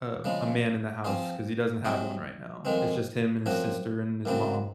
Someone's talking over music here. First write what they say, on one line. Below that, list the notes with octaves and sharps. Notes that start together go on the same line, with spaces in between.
a a man in the house 'cause he doesn't have one right now. It's just him and his sister and his mom.
C#3 F3 G#3
F3 C4 F4 G#4
C3 F#3 C4 D#4 G#4
F2 D#3 G#3 C4
F#2 F3 C4 F#4
F#2 C#3 F#3 C4